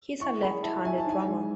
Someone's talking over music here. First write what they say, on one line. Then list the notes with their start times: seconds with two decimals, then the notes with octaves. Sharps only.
He is a left-handed drummer.
0.21 E4 C#6
0.42 G#4 B5
0.63 E4 A5
0.85 E4 G#5
0.98 A5
1.06 D#4 G#5
1.28 G#3